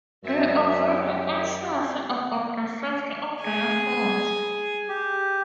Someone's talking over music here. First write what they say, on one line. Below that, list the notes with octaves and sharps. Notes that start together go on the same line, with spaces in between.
They are very anxious about the safety of their souls.
F#2 E5
G4
G#4 G#5
G4